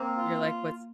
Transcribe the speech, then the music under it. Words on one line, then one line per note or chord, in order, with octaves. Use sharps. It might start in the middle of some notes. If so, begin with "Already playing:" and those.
You're like, "What's
Already playing: A#3 C4
F4